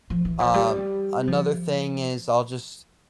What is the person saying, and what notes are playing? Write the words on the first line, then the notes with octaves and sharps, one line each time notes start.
Um, another thing is I'll just
F3
E3
F3
G3
F3